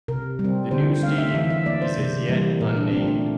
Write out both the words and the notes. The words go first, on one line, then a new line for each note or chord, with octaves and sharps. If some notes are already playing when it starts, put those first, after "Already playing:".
The new stadium is as yet unnamed.
C3 A#4
G3
C4
D3 C5
A3 C4 F5
E5
E3 E5
E5
A#3 D5
C5
C3
E3 G3 A#3
A#2 A#4
D4
A3 C4 D4
D4